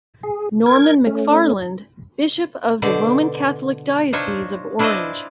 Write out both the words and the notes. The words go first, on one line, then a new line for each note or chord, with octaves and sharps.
Norman McFarland, Bishop of the Roman Catholic Diocese of Orange.
G#4
A#4 G#6
A3 C#4
B2 D3 C5 D5
D4 D#4 F4 C5 C#5
D4 E4 F4 C5 D5 D#5